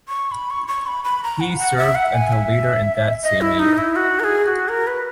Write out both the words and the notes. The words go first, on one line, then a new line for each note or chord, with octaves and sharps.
He served until later in that same year.
C#6
B5
C#6
C#6
B5
B5
A#5
F#5
F#5
E5
F#5
G#5
E5
D#5
E4
D#4
E4
F#4
A#4
G#4
G#4
F#4
A#4
B4